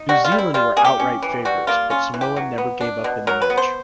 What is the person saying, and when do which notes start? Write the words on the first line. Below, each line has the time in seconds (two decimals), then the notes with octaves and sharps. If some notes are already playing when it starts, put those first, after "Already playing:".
New Zealand were outright favourites, but Samoa never gave up in the match.
Already playing: D#4
0.09 G3 F#4
0.25 F4
0.32 G3
0.38 E4
0.54 G3 F4
0.76 A#3 G#4
0.85 G4
1.00 C#4
1.22 E3
1.45 G3 F#4
1.67 A#3 F4
1.90 C#4 F4
2.14 E3
2.21 G4
2.36 F#3
2.58 B3
2.81 D4
3.04 B2
3.27 F#3 A#4
3.42 B4
3.50 B3
3.57 C5